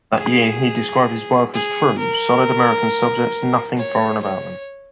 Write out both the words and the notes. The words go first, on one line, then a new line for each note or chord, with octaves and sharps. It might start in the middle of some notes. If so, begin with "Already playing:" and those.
That year he described his work as true, solid American subjects-nothing foreign about them.
G#4
G#4
A#4
C#5
C#5